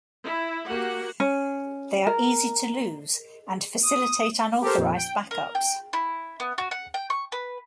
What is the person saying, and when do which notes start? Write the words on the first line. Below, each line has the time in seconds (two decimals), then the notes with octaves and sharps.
They are easy to lose and facilitate unauthorized backups.
0.22 E4
0.67 A#3 F#4 G4 F#5
1.20 C#4
2.07 A#4
3.84 D#6
4.61 G4 A4 A#4 C5
4.77 F2 A#2
4.96 G5
5.31 A#4
5.55 G5
5.93 E4
6.40 B3
6.58 F#4
6.71 F#5
6.94 G5
7.10 C#6
7.32 B4